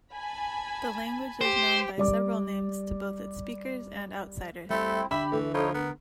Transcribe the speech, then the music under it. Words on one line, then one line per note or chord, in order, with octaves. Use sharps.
The language is known by several names to both its speakers and outsiders.
G#5 A5 B5
G4 C5
G3 D5 D6
G3 A3 C4 E4 G4
D3 D4 G4 E5 B5
E3 A3
F3 D#4 E4 C#5
B3 A#4